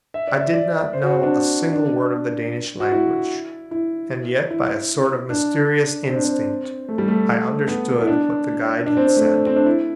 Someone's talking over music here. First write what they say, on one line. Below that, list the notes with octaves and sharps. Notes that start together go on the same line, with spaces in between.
I did not know a single word of the Danish language, and yet by a sort of mysterious instinct I understood what the guide had said.
E5
D5
E5
D5
C5
F#4
C4
D4
D4
F#4
E4
E4
E4
D4
C4
D4
C4
A3
G3
A3
B3
E4
D4
D4
C4
C4
A3
C4
D4
E4